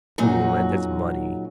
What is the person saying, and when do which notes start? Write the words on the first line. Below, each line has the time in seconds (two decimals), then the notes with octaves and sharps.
Fool and his money.
0.18 A#2 C#3 F#3 D#4 F#4